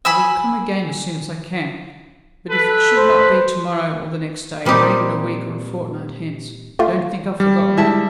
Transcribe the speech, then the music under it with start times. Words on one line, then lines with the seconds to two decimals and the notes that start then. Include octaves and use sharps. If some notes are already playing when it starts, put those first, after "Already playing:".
I will come again as soon as I can; but if it should not be to-morrow, or the next day, or even a week or a fortnight hence, don't think I've forgotten you.
0.05 G#5 B5 E6
2.50 A4 B4
2.97 C5
4.65 A#2 G3 C4 D#4 G4
6.79 A3 F4
7.40 G3
7.77 G#3 E4 E5 A5